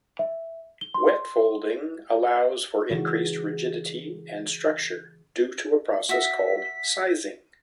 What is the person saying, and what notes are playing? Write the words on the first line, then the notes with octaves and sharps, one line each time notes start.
Wet-folding allows for increased rigidity and structure due to a process called "sizing".
E5
G7
C6
C#3 E3 F#4
F#4 E5 B6